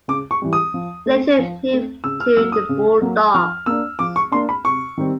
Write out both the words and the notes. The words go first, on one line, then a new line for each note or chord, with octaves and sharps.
He later moved to the Bulldogs.
C#3 D6
C#6
E3 G3
D#6
F3
A3 C4
F3
A3 C4
C#3 E6
F6
F#3 A#3 E6
D#6
C#3
F#3 A#3
F3 F6
A#3 D4 E6
F3 D6
C#6
A#3 D4 C6
B5
C3 C#6
D#3 G3 C4